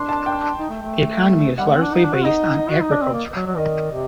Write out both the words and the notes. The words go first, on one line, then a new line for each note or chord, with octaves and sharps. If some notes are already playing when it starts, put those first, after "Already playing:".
The economy is largely based on agriculture.
Already playing: D4 C6
A5
G5
D#4
A3
A3
G3 F#5
A3
C4
D4
D#4
D4
F#4
D#4 D#5
D#4
F#4
D#4
D4 D5
C4
A#3
F#3
F#3
D#3 D#5
C3